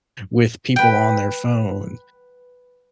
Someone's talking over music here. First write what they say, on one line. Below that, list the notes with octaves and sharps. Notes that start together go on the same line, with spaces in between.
with people on their phone,
B4 G5